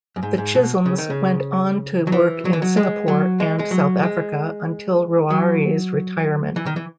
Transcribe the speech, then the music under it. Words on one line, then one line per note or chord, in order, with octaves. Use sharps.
The Chisholms went on to work in Singapore and South Africa until Ruari's retirement.
F#2
G#2
G#2
B2
C#3
D#3
C#3
F#3
E3
F#3
E3
F#3
G#3
F#3
G#3
G#3
F#3
G#3
F#3
E3
D#3
E3